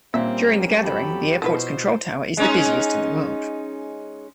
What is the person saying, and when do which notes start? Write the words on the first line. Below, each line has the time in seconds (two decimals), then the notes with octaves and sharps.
During the gathering, the airport's control tower is the busiest in the world.
0.14 A#2 G3 A#3 C4 C#4 E5
0.80 F2 F#3 G4 A4 B5
1.42 B2 F3 E4 B4 C5
2.37 G#3 C#4 D#4